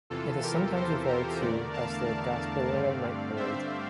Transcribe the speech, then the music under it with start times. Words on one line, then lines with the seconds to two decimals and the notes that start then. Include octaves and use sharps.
It is sometimes referred to as the "Gasparilla Night Parade".
0.10 E2 C3 E3 F4 A4
0.43 G4 A#4
0.75 A4 C5
1.08 G4 A#4
1.41 E2 D3 A3 A#4 D5
1.73 F5 A5
2.06 D5 F5
2.71 G2 D3 A3 C4
3.36 C5 E5